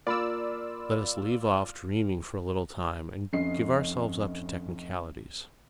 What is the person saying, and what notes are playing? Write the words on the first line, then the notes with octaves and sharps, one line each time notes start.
Let us leave off dreaming for a little time and give ourselves up to technicalities.
A#3 F4 D5 B5 E6
F1 C#4 D#5 C7